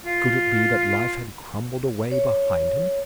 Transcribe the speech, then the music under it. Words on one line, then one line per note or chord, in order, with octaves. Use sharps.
Could it be that life had crumbled away behind him?
F4
C#5